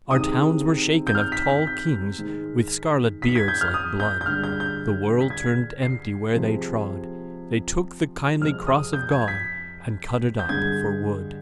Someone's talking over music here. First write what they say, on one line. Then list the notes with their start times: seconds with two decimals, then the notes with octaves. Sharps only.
Our towns were shaken of tall kings With scarlet beards like blood: The world turned empty where they trod, They took the kindly cross of God And cut it up for wood.
0.11 C3 D#3 G#3 D#6
1.07 G6
1.15 F6
1.32 B6
1.49 B6
1.67 G6
2.18 G#2 D#3 G#3
3.22 B6
3.36 G#6
3.48 G6
3.61 F6
3.74 D#6
4.00 G6
4.21 G6
4.26 G2 D3 G#3 F6
4.44 G6
4.60 G6
5.21 B6
5.30 G#6
5.82 C7
6.34 C3 F3 G#3
8.41 F2 C3 F3 G#3 F6
8.67 D#6
8.93 G6
9.11 G#6
9.28 B6
10.39 G6
10.49 G2 D3 G#3 G#6